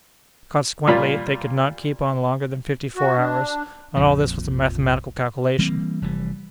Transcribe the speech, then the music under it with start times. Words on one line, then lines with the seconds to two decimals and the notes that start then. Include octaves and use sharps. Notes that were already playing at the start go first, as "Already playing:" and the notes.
Consequently, they could not keep on longer than fifty-four hours--and all this was a mathematical calculation!
0.87 A#2 G3 F4 D5 B5
2.96 F#4
3.18 D4
3.96 A#1 F2 A#2 F3
5.58 E3 G3 A#3 C4
6.02 F1 E3 G3